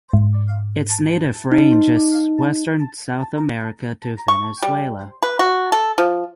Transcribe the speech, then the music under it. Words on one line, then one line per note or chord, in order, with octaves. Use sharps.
Its native range is western South America to Venezuela.
G#2
D#4
C#6
G3
B4
F#4
A4
F3